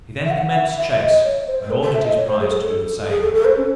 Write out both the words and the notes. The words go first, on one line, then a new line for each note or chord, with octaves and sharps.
He then commenced chase, and ordered his prize to do the same.
E5
F#5
E5
E5
E5
D#5
C#5
C5
C5
A4
A4
E5
D#5
C#5
C5
G#4
A4
G#4
A4
A4
C5
C#4